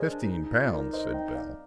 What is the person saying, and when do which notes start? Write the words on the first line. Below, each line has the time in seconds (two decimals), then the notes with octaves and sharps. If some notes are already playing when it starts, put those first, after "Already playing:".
"Fifteen pounds!" said Bell.
Already playing: G#4 A#4 C5 D5 D#5
0.11 D4
0.21 D#4
0.31 D#4
0.45 D#4
0.58 F4
0.73 D#4 A#4 D5
0.93 C5 D#5
1.14 D#5 G5
1.35 D5 F5